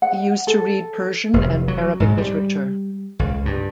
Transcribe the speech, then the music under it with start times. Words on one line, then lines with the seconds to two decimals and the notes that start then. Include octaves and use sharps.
He used to read Persian and Arabic literature.
0.02 F#5
0.47 A4
1.33 F1
1.68 F#3
2.00 G#2
2.18 G3
3.19 C#2
3.45 G2